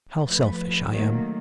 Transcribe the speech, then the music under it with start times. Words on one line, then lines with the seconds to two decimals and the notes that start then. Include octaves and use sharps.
How selfish I am.'
0.24 F3 A3 B4
0.90 D#3 F#3 A3 A#3